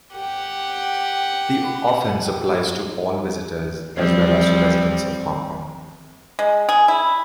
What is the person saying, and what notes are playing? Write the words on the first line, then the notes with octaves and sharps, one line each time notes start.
The offence applies to all visitors as well as to residents of Hong Kong.
G4 F#5
F3 G3 C4
G#3
G#4
E4